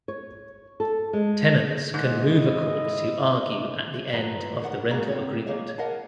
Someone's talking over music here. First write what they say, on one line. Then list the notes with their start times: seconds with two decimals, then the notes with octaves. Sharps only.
Tenants can move a court to argue at the end of the rental agreement.
0.08 C#5
0.80 A4
1.13 G#3
1.94 G#2 E4 D#5
4.13 G2 D#3 F3 B3 E4 A#5
4.60 E2 A#4 F#5
4.90 G#3 A#3 F#4 G#4 A#4
5.07 C4 C#5
5.46 A#3 G#4 C#5 D#5
5.78 A#4 D#5 F5 F#5 A5